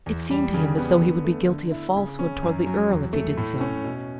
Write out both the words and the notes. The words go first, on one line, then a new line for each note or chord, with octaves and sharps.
It seemed to him as though he would be guilty of falsehood towards the earl if he did so.
E2
G3
C#3
B3
D3
A3
D3
E4
C#3
C#4
F#2
F#3
E2
A3
A2
C#4
B2